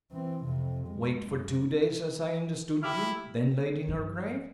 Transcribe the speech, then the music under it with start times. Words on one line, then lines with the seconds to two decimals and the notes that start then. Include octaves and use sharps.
Waked for two days, as I understood you; then laid in her grave?
0.11 E3 C4
0.45 F2 C3
0.88 G#3
1.22 F#2
2.83 E4 G4 D6 F6
3.87 G2 F3